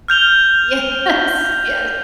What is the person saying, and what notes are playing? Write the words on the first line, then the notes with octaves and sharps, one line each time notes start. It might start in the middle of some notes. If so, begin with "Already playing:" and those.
Yes, yes.
F6 G6 F7 G7